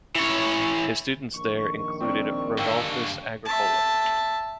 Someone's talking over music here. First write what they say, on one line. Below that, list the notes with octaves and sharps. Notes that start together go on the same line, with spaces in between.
His students there included Rodolphus Agricola.
E3 C#5
A#1 D#3 C#6
C4 D4 A#4
G2 D3 F5 G5 E6
E5 A5